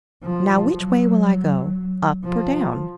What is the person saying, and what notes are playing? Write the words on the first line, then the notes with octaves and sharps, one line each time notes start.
Now which way will I go,--up or down?
F3
F#3
F3